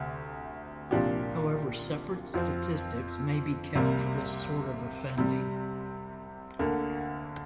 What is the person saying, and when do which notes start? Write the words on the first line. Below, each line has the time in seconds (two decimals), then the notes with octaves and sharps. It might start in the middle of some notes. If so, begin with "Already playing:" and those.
However separate statistics may be kept for this sort of offending.
Already playing: D2 C3
0.91 C2 A#2 F3 D4 G4
2.34 F2 F3 C4
3.75 C2 C3 G3 A#3
5.17 C2 C3 G3
6.59 D2 D3 A#3